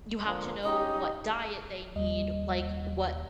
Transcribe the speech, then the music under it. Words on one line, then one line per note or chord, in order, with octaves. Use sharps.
you have to know what diet they need, like, what
D3 F3 A#3
C#4 D#4 G4 D#5
D#2 G3 D#5